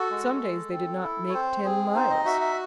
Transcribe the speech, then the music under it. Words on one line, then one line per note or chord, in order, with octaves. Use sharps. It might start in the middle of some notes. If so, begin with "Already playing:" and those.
Some days they did not make ten miles.
Already playing: F#4 A4
G#3
G#3
C4
E4
C#5
C4 C5
C4 G#4
D#4 C5
D#5
F#4 E5
E5